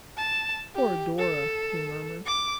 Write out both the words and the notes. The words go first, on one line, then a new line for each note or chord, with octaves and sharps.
"Poor Dora!" he murmured.
A5
G4
A4
D6